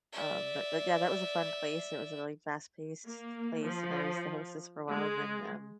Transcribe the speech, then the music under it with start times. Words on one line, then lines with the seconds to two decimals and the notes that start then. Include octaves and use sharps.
Um, but but, yeah, that was a fun place. It was a really fast paced place, and I was the hostess for a while. And then, um,
0.13 D5 E5
3.07 A#3
3.62 F3
4.91 G#3